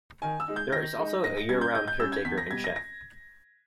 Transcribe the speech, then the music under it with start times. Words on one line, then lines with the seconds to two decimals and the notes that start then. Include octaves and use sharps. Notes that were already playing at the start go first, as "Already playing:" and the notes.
There is also a year-round caretaker and chef.
0.22 D#3 G#5
0.40 E6
0.48 G#3 D#4
0.56 G6
0.72 D#3 A#6
0.99 G#3 D#4
1.23 G#2 A#6
1.37 A#6
1.49 G3 C#4 G#6
1.61 G6
1.74 G#2 G6
1.88 G6
2.00 G3 C#4 E6
2.12 G#6
2.25 E2 B6
2.38 A#6
2.51 B2 G3 G#6
2.64 A#6
2.76 A#6